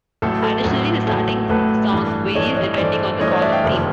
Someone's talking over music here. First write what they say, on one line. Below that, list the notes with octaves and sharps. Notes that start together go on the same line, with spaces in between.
Additionally, the starting song varies depending on the column theme.
A1 A2 F#3 A3 A4
A4
A1 A2 F#3 A3
A1 A2 F#3 A3 A4
A1 A2 F#3 A3 A4 B4
G2 E3 A3
G2 E3 A3 C#5 D#5
C#5 D#5
G2 E3 A3 C5 D5
G2 E3 A3 C#5 D#5
C#5 D#5
D5 E5
F5 G5
F#1 F2 C3 D#3 G3